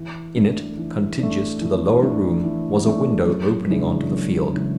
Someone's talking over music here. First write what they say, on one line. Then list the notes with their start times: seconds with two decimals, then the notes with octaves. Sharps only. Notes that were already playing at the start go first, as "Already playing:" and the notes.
In it, contiguous to the lower room, was a window opening on to the field.
Already playing: E3
0.36 A3 D4
0.77 E3
1.19 A3 D4
1.61 E3
2.02 A3 D4
2.44 E3
2.86 A3 D4
3.27 F#2
3.69 C#3 E3 G#3 D4
4.11 F#2
4.53 C#3 E3 G#3 D4